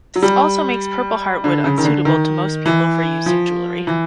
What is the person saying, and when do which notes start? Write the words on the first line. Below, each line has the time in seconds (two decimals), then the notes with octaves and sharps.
This also makes purpleheart wood unsuitable to most people for use in jewelry.
0.16 F#3
0.22 G3
1.44 D3
1.64 C#3
1.78 D#3
1.85 D3
2.05 D#3
2.66 E3
3.26 F3
3.87 E3